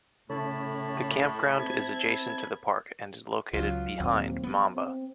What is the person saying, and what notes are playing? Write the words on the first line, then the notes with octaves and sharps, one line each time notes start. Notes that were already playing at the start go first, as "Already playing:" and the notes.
The campground is adjacent to the park, and is located "behind" Mamba.
A2 C#3 E4 A4 C#5 A5 B5
C4 G#6
C#2 F#3 F4
D#2 A#2 C4
B3
C4